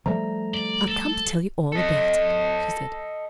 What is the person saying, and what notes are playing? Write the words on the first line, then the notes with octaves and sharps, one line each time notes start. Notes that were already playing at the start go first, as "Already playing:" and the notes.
"I've come to tell you all about it," she said.
F3 G3 A3 A#5
D5
A4
A4 D#5